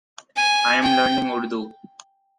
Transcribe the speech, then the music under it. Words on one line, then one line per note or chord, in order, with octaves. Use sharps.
I am learning Urdu.
G#5
G5